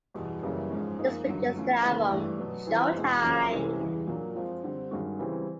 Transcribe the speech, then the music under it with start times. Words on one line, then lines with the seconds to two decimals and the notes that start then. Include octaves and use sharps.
This produced the album Showtime!
0.14 E2 B2 G3
0.42 F#2 C#3 E3 G3 A#3
0.70 G#2 F3 G#3 C#4
0.98 F3 A#3 D#4 G#4
1.26 G2 D3 F#3
1.54 E3 A3 C#4 F4
1.83 D#2 C#3 E3 G#3 B3
2.11 G2 E3 A3 D4 G4
2.39 B2 F#3 B3
2.67 E3 G3 C4 F4
2.95 E2 B2 G#3
3.23 F2 C#3 F#3 A#3 C#4
3.51 C2 C3 E3 G#3 C#4
3.79 E2 C#3 E3 G3
4.07 A#2 F#3 A#3 D4
4.35 F3 G#3 C4 F4
4.63 D3 G3 C4
4.91 G2 D#3 G#3 C#4 F#4
5.19 C#3 E3 G3 C4